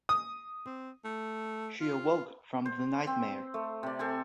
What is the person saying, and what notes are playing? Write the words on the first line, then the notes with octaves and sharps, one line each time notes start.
She awoke from the nightmare.
D#6
C4
A3
F4
C5
C4
A3
C3 D5
A4 C5 G#5